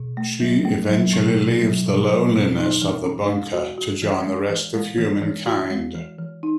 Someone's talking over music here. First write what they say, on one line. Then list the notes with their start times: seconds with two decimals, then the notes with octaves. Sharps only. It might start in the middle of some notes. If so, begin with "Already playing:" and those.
She eventually leaves the loneliness of the bunker to join the rest of humankind.
Already playing: B2
0.17 A3
0.40 F#3
0.65 A3
0.89 F#3
1.13 B2
1.37 B2
1.62 F#3
1.86 B2
2.10 F#3
2.33 B2
2.58 D#4
2.82 E3
3.06 C#4
3.29 G#3
3.53 F#4
3.78 F#4
4.02 E3
4.26 G#3
4.50 E3
4.75 G#3
4.98 E3
5.22 E3
5.46 F#4
5.71 G#3
5.95 E3
6.19 E3
6.43 D#4